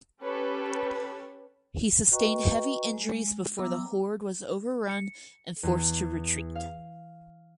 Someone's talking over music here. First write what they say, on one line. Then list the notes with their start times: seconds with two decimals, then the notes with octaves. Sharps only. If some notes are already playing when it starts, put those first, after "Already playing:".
He sustained heavy injuries before the Horde was overrun and forced to retreat.
0.23 C#4 G4 A4 B4 C#5
2.11 F#4 B4 D#5 G5 A#5 C#6
2.93 G#3
3.58 F#3 B3 E5 A#5 D6 E6
4.89 C#7
5.63 E2
6.55 F5